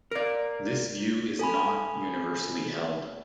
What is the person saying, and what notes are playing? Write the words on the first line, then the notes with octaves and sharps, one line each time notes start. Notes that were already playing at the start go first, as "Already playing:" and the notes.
This view is not universally held.
A#4 D5
A4 G#5 B5